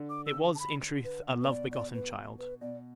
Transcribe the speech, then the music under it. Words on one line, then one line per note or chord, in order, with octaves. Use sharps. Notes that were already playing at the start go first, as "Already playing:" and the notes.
It was, in truth, a love-begotten child!
Already playing: D3
D6
E6
A5
B5
B4
B2
B4
D5
D5
B4
B4
B2 D5